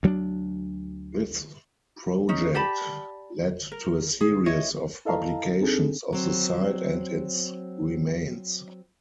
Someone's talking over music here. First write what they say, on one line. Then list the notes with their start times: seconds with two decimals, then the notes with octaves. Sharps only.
This project led to a series of publications of the site and its remains.
0.03 D2 F#3 A#3 D4
2.29 C#4 D#4
2.55 G4 D5 A5 B5
3.72 A#4
4.21 G#4
4.46 E4 C#5 D#5
5.05 E4 A4 D#5 F5 A5 A#5
5.61 C4 D4 D#4 G#4 A4
6.13 F#3 C4